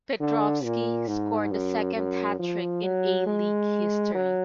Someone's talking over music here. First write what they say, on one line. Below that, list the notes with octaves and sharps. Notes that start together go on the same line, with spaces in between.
Petrovski scored the second hat trick in A-League history.
D3
A#2
G#2
F#2
F#2
F3
F#3
G#3
F#3